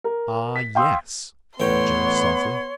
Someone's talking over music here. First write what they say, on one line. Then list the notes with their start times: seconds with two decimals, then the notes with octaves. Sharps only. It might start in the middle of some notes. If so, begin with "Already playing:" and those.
"Ah, yes," said Joe, softly.
0.04 A#4
0.56 B6
0.75 F5 G5 C6 D#6 E6
1.60 A1 E2 B3 C#5 G5 C6